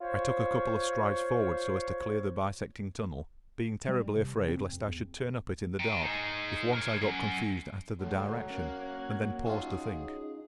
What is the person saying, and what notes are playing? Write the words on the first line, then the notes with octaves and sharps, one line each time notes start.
I took a couple of strides forward so as to clear the bisecting tunnel, being terribly afraid lest I should turn up it in the dark if once I got confused as to the direction, and then paused to think.
F4 C5 C#5
G3
C3
C4
F2
E2
G5 A#5
D#4 G#4
A#4 C#5
F#3 C#4
D2 A2 F#3 A4
A#3 C#4 A#4 F#6 G#6
C#4 D#4 F4 G#4 A5